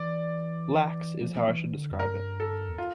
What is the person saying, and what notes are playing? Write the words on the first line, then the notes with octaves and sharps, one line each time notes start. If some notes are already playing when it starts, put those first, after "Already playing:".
Lax, is how I should describe it.
Already playing: E3 D5
E3
F3
E3
E3
D3
F2
G2 A#4
A4
E2
F4